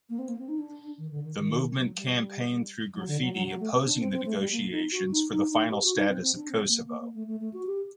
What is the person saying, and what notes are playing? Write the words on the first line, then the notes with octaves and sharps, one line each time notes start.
The movement campaigned through graffiti opposing the negotiations for the final status of Kosovo.
A#3
C4
A#3
C4
D#4
D4
D#3
D3
D#3
D#3
F#3
G3
F#3
D3
F#3
F#3
F#3
A3
C4
D4
C4
C4
A3
G3
A#3
D#4
F#4
D#4
D#4
D#4
G4
F#4
D#4
C4
C4
D4
C4
A#3
A#3
A#3
A3
A3
A3
F#4
G4